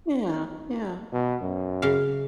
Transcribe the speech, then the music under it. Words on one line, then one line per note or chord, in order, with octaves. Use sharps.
Yeah. Yeah.
B2
F#2
C#3 F5